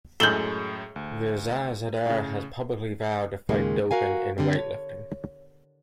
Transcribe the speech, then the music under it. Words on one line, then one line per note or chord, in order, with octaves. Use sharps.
Rezazadeh has publicly vowed to fight doping in weightlifting.
F#2 A2 G#3 A4 G6 F#7 G7
D2
A2 C#3
D#2 A#2 C#3 G#3 A#3
F#4 A#4 F5 G#5
D3 G3 C4
C#5